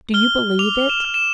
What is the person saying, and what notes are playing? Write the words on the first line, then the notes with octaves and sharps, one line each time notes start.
Do you believe it?'
F6 G7
D6 F7
E7
F6
E7